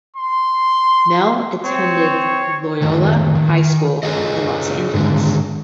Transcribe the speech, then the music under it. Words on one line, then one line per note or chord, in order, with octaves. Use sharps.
Mehl attended Loyola High School in Los Angeles.
C6
C4 C#5
A2 D#3
D#3
G#4 A4 C#5 D#5
G#2 D3 D#3 G#3